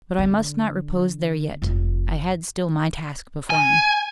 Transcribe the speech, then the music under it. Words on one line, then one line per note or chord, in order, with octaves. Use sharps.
But I must not repose there yet; I had still my task before me.
D3
F1
G#5